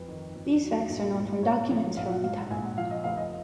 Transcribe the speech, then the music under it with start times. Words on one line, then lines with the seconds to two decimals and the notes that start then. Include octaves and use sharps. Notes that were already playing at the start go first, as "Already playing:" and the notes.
These facts are known from documents from the time.
Already playing: F2 B4
0.08 D#3
0.35 F2
0.62 F#3
0.90 A#1
1.16 G#2
1.43 A#1 C#5
1.70 F3
1.97 A#1 F5
2.10 F#5
2.23 G#2 F5
2.37 F#5
2.51 A#1 G#5
2.64 F#5
2.77 F3 F5
2.91 D#5
3.04 F1 F5
3.17 D#5